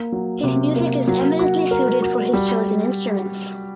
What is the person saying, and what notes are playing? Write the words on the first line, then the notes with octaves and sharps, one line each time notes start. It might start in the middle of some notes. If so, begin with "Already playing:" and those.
His music is eminently suited for his chosen instruments.
Already playing: A#3
F#3
C3
A#3
F#3
F#4
A#4
F#4
G3